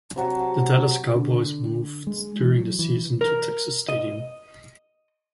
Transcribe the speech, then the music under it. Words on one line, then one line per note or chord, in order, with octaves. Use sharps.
The Dallas Cowboys moved during the season to Texas Stadium.
C3 F#3 F#5 A5
D3
G#3
E3
F#3
E3
A#4
D#5